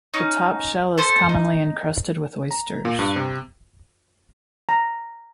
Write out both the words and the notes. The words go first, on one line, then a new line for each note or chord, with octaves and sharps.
The top shell is commonly encrusted with oysters.
C#4 D#4
A4 C5 A5
D#4
A#5
A#2
G2
C3
A#5